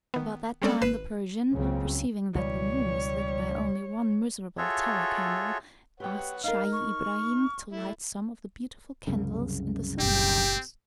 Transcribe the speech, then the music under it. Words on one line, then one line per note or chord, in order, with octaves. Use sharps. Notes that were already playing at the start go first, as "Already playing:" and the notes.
About that time the Persian, perceiving that the room was lit by only one miserable tallow candle, asked Scheih Ibrahim to light some of the beautiful candles in the silver arms.
D#3 B3
G3 G#3 C4 C#4 A4 D5
G#1 B4 C7 E7
C#2 C#3 F#3 A#3 C4
C#2 B2 E3 G3 C#5
F4 F#4 G#4 A4 C#5 E5
G4 B4 C#5 F#5 G5
D#4 A#4 F5 F6
C#6
A3 E4
C2 F#2 C#3
F#1 A#2 C4 G4